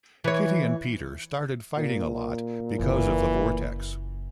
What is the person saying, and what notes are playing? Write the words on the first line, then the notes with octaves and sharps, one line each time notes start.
Kitty and Peter started fighting a lot because of the Vortex.
E3 C#5
A#2
F#1 E3